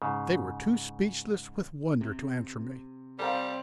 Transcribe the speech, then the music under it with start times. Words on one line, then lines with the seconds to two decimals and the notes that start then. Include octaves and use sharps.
They were too speechless with wonder to answer me.
0.02 G#2 C#3
2.01 C3
3.19 G3 C4 A4 A#4 F5